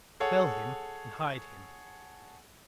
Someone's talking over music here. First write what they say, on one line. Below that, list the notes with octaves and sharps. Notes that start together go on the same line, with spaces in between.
Fell him and hide him.
G#4 A4 C#5 F#5